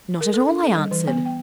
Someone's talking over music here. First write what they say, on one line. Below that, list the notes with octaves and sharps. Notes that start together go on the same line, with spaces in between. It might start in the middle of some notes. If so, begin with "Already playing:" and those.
'Not at all,' I answered.
A#4
A4
D4
A4
G3
E3
B3
G5